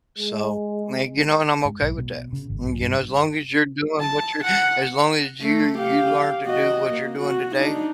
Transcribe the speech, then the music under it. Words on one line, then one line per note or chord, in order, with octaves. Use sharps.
So, may you know, and I'm okay with that. You know, as long as you're doing what you're as long as you're you learn to do what you're doing today,
G#3
G#2
B1
B2
C#3
G#1
B1
G2
A5
F#5
A3
G4 F5
F#4 D#5
A#3
F#4
D4 D#4